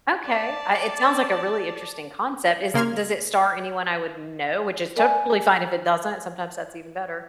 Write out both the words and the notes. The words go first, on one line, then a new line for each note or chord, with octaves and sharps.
Okay, I it sounds like a really interesting concept is does it star anyone I would know? Which is totally fine if it doesn't, sometimes that's even better.
D5 A5
C#3 A#3 C6 F6 G#6
A#4 D5 E5 G#5